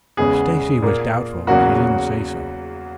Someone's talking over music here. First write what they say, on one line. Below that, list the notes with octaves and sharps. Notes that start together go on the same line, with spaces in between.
If Stacy was doubtful he did not say so.
E2 C#3 G#3 B3 G#4
A#2 A#3
E2 C#3 F#3 A#3 F#4